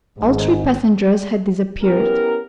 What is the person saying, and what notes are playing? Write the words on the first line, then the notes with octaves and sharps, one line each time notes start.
All three passengers had disappeared.
G#1 G#2
B3 C#4 E4 G4 A#4